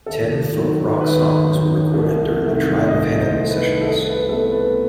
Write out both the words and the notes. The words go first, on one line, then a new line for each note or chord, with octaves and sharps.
Ten folk rock songs were recorded during the Tribe of Heaven sessions.
D#2 A4
D#3 F#3
D#2 B4
D#3 F#3
C2
C3 D#3 A3 C4
C2 D#5
C5
C3 D#3 A3 C4
B4
C2 A4
B4
B2 A3 C4 A4
B4